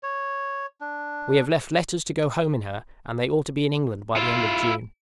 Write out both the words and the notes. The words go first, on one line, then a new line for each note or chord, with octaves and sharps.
We have left letters to go home in her, and they ought to be in England by the end of June.
C#5
D4
E4 F4